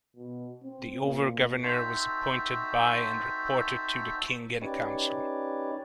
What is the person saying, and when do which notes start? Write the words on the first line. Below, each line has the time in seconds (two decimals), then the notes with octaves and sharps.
The Over-Governor was appointed by and reported to the King in Council.
0.16 B2
0.64 C4
1.01 A#2
1.62 C4 D#4 F#4 A4 C5 E5
4.62 C#4 D#4 G4 B4 C#5 D5